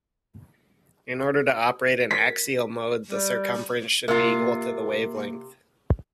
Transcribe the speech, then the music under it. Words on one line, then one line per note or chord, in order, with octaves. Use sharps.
In order to operate in axial-mode, the circumference should be equal to the wavelength.
B6
G3
C3 A#3 F4